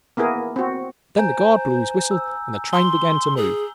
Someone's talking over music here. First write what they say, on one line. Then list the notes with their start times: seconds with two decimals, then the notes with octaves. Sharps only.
Then the guard blew his whistle and the train began to move.
0.17 A#3 B3 E4 G#4 A#4
0.56 C4 F#4
1.17 C5 G#5 A#5 G6
2.11 E6
2.73 C6 G7
3.37 G#4